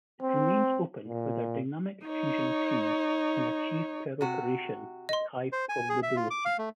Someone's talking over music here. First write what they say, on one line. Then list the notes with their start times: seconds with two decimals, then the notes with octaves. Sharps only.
It remains open whether dynamic fusion trees can achieve per operation with high probability.
0.22 C4
1.07 A#2
2.06 D#4 C#5
4.21 C3 F#4
5.09 D#5 C6
5.52 C5
5.69 G#5
5.89 G#4
6.03 E5
6.16 F4
6.30 D6
6.45 F5
6.58 A3